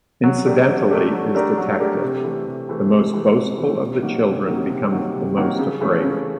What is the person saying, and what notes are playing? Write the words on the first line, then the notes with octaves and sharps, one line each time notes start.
Incidentally is detected: The most boastful of the children becomes the most afraid.
F#3
A3 D4 G4 A#4
F#3
A3 D4 G4 A#4
F#3
A3 D4 G4 A#4
F#3
A3 D4 G4 A#4
C3
E3 A3
C3
E3 A3
C3
E3 A3
C3
E3 A3
C3
D#3 F#3 A#3
C3
D#3 F#3 A#3
C3
D#3 F#3 A#3
C3
D#3 F#3 A#3
C#3
E3 A3 C#4
C#3